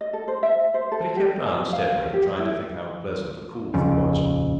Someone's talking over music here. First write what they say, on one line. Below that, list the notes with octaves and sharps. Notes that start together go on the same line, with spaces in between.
But he kept on steadily and tried to think how pleasant the coolth was.
D#5
A4
C5
E5
C5
A4
G4
G#5
F5
A#4
G4
E4
D#1 A#1 F2 C#3